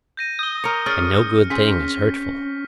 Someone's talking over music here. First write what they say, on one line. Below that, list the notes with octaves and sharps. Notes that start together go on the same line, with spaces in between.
And no good thing is hurtful?
G6 A#6 D#7
D#6 G6 G7
A#4 C#5
C#4 G#4 D5 F6 C#7
C4 C#4 G#4 B6